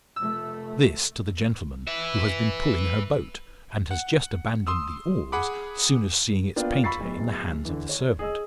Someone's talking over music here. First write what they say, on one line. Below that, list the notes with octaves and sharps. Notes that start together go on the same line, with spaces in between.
This to the gentleman who has been pulling her boat, and has just abandoned the oars soon as seeing its painter in the hands of the servant.
F1 A3 E6
B4 E5
F#5
C6 D#6 E6
G#4 F#5 B5 D6
A#3 B3 D4 F4 F5 G5
B5 C#6 E6 A6 C7
D1 B1
D3 E3
C#5
G#4 D#5 E6